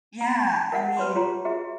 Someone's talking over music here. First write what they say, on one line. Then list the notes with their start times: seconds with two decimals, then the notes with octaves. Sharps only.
Yeah, I mean,
0.21 A#5
0.72 A#4 E5 F#5 A5
0.97 B4 C#5 B5 C6
1.15 F4 G4 C#5 A#5
1.45 F#4 G#4 E5